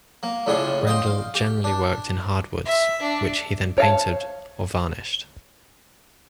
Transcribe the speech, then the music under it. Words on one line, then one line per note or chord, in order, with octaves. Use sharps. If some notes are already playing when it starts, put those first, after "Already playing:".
Brendel generally worked in hard woods which he then painted or varnished.
A#3
A2 C#3 D4 F4
D#5 F5 G5 C6
F5
G4
D4
E5
D4
C#5 F5 A5